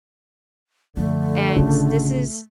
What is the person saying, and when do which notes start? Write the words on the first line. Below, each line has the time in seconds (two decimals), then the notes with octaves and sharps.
And this is
0.97 F#2 D3 F3 A3
1.56 A1 C#3 F4